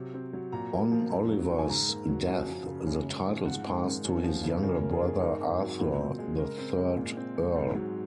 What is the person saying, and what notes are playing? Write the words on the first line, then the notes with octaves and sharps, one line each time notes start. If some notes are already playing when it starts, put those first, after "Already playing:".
On Oliver's death the titles passed to his younger brother, Arthur, the third Earl.
Already playing: C3 F#3
C4
F#3
A#2 A#5
A#3
F3
F2
F#3
D#3
G#5
G#2 A#5
A#3
F#3
F#2
F3
C#3
F#2
G#3
F3
G#2 F#5
G#3
D#3
F#2
F3
C#3
F#2 A#4
A#3
G#4
D#3
G#2 A#4
C4
F#3
A#2
C4
G#3
C#3 A#4
C4
G#3
A#2
C4
G#3
G#2
F#3